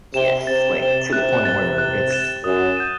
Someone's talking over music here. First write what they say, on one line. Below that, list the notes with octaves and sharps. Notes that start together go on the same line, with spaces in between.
Yes. Like, to the point where it's
C3 E7 G7
C3 A6
C3 E7 G7
C3 F#6
C3 A6 E7 G7
F#6
A6 E7 G7
F#2 D#6
G6 D#7